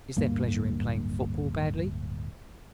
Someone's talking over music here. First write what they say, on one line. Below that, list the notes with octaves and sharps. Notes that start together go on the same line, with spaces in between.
Is there pleasure in playing football badly?
D1 G2 A#3